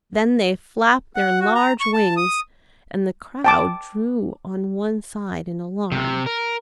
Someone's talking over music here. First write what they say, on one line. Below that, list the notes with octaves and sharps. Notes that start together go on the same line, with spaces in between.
Then they flapped their large wings and the crowd drew on one side in alarm.
F#5
F#4
A#5
C#6
A5
D#6
G5 A5 D6
C3
A#4